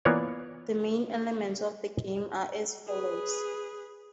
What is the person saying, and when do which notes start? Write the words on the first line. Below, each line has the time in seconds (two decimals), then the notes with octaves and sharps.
The main elements of the game are as follows.
0.05 E3 A#3 B3 F4 C#5 D5
2.87 G#4 B4